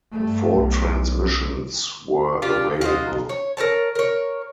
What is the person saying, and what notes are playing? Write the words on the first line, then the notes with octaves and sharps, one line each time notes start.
Four transmissions were available.
G2 A3
B1
D4 F4 G4
F4 F#4 C5 D#5
C#5
A#4 C5 C#5 A5
A#4 C#5